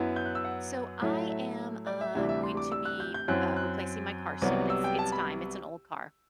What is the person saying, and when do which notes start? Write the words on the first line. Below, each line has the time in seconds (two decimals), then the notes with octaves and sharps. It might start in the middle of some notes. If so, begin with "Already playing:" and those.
So, I am, uh, going to be, uh, replacing my car soon. It's it's time, it's an old car,
Already playing: F#2 F#3 B3 E4
0.16 G6
0.26 F#6
0.35 E6
0.45 F#5
1.01 A2 F#3 A3 E4
1.30 E5
1.87 D5
2.01 E5
2.15 D2 C3 E3 G3 D4 E5
2.29 E5
2.43 C6
2.57 D6
2.72 E6
2.85 F#6
3.00 G6
3.14 G6
3.28 F#2 F#3 C4 E4 F#6
3.57 F#6
4.42 C2 C3 F#3 B3
4.70 E6
4.84 G5
4.99 A5
5.12 B5